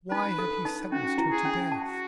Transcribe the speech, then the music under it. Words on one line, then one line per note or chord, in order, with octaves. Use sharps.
Why had he sentenced her to death?
D#4 B4
A4
D#4
C#4 F#4
E4
G#4
C#4
F#4 A5